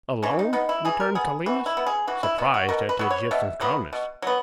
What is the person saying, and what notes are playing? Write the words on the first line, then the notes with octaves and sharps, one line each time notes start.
'Alone!' returned Calenus, surprised at the Egyptian's calmness.
E3 C#4
D#4
B3 D#4
E4
E3 G#4
A#4
B3 G#4
E3 F#4
E4
B3
G#4
E3 F#4
E4
B3 F#4
F#4
B2 A#4
B4
F#3 B3
C#5
B2 E5
F#3 B3
B2
F#3 B3